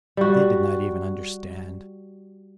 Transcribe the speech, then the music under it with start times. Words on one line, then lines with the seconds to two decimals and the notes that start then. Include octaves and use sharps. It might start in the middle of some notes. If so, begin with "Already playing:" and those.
They did not even understand.
0.17 G3 F#4